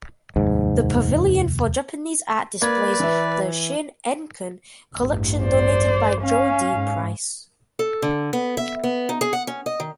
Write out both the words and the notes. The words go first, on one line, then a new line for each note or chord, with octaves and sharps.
The Pavilion for Japanese Art displays the Shin'enkan collection donated by Joe D. Price.
F1 D#2 G#2
A#3 B4 D5 G#6
E3 E5
A1 E2 G2
C5 D5
C#4 F5
G#2
A4
D3
B3
E5
B3
D#4
G#4
F#5
C#4
D#5
D#3